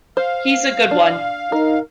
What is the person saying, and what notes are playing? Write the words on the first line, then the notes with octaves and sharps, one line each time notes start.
He's a good one.
C5 F5
D4
D#4 A#4